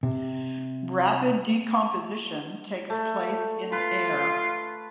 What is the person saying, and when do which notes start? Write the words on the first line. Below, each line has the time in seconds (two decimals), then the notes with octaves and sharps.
Rapid decomposition takes place in air.
0.03 C3
2.90 A3
3.72 F4 B4